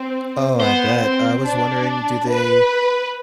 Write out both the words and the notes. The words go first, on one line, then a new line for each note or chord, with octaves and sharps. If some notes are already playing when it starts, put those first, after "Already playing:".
Oh, I bet, I was wondering, do they,
Already playing: C4 C5
B3 C5
C4
D4
B4